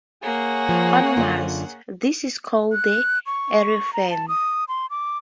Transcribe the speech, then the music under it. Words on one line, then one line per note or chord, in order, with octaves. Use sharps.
On Mars, this is called the Areophany.
A#3 G#4 C#5 F#5
F3
F#2 D3 F4
F#6
C#6
A#5
A5
D#6
C6
D6